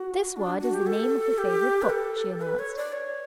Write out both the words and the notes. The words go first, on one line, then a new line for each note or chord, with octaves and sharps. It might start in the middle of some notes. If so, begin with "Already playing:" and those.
"This word is the name of a favourite book," she announced.
Already playing: F#4
D4
F#4
G4
A4
G4
B4
A4
B4
C#5
D5
C#5